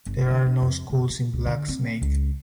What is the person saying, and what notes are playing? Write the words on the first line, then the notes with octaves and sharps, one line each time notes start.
There are no schools in Black Snake.
G1
D3
D4
F2
F#1
E3
C#2
D3
C4
C#2